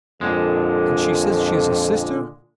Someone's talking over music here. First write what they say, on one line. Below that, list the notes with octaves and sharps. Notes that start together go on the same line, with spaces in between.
And she says she is a sister....
F2 A#2 D3 G#3